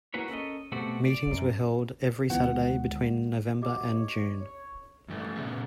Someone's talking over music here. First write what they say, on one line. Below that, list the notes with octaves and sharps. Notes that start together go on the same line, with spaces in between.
Meetings were held every Saturday between November and June.
A#3 E4 F#4 G#4 B4 C#5
C#4 A4 A#4 D#5
B2 A3 C4 F#4 G4 A4
D5
F#2
D2 D#3 E3 G#3 B3 F4 F#5
F#4 G4 D#5 D6
C#5
C#5
G2 E3 A3
A#2 C#3 B3 G#4